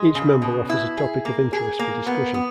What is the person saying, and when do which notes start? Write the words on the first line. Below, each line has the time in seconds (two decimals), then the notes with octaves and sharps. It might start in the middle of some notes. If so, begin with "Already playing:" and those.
Each member offers a topic of interest for discussion.
Already playing: G#3
0.15 C#3
0.42 B2
0.70 E4
0.97 G#4
1.25 A#3
1.53 G#4
1.79 A#3
2.06 B3
2.34 B3